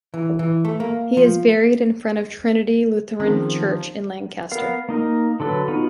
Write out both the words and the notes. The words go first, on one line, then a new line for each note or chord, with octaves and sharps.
He is buried in front of Trinity Lutheran Church in Lancaster.
E3
E3
A3
A#3
F3
D#3 F3 C4 C#4 G#4
B3 A#4 F5
A#3 D#4 A#4
D3 F#3 A4 B4
B3 D#4 F4 F#4